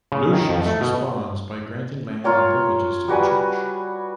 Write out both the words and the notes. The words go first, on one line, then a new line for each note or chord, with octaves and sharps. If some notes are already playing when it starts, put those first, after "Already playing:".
Lucius responds by granting land and privileges to the Church.
C#3
D#3
F2
A3
B2
F4 A#4 C#5 G5
G3 F#4 B4 G#5